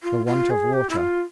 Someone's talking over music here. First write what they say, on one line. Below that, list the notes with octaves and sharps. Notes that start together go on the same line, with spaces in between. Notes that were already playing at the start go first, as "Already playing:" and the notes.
"The want of water."
F4
F4
G#4
G4
E4
F4